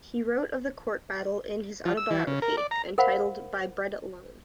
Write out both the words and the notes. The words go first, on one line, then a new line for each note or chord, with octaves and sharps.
He wrote of the court battle in his autobiography, entitled "By Bread Alone".
F3
E6
E3
C#3
A#4
D5
A#5
A#4 C5 F5 F#5 B5